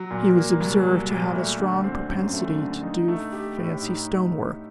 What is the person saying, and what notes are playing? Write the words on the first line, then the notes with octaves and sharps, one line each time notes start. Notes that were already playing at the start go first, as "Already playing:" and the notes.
He was observed to have a strong propensity to do fancy stone-work.
Already playing: F#3
A#2
A#3
C2
F#3
A#2
A3
D3
C4
F#2
A3
D3
D#4
A3
G4
A2
D#4